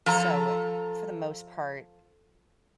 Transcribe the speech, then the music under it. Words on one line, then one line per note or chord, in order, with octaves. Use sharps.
So, for the most part,
F3 A4 A#5